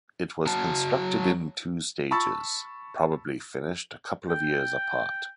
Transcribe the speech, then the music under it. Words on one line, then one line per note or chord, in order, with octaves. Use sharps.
It was constructed in two stages, probably finished a couple of years apart.
F#3 F#4 A5
A5 B5 C#6 E6 A6
G5